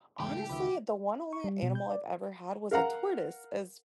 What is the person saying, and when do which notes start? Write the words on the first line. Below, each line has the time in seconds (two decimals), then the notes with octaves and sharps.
Honestly, the one only animal I've ever had was a tortoise, as
0.20 E2 G#2 C#3 E3 G#3 A3 G4
0.34 A3
0.49 C#2 D#3 F3 F#4 E5 B5
1.33 C#6
1.44 G3
1.62 B2
1.75 G6
1.90 D5
2.71 A#4 F5 F#5 A#5